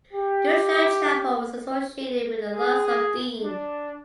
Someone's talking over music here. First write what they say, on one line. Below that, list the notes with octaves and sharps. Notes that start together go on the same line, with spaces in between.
Goodshaw Chapel was associated with the Larks of Dean.
G4
G#4
D4